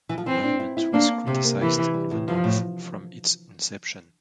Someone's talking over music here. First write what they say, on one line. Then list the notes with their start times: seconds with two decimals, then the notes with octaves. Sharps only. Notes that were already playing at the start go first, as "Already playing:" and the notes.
The monument was criticized in the North from its inception.
0.09 E3
0.18 F3
0.26 E3 C4
0.44 D4
0.60 E4
0.77 E4
0.93 A#3 D4
1.27 C3 C4
1.44 A#3
1.61 E3
1.94 G3
2.11 A2
2.28 G2 F3
2.44 A2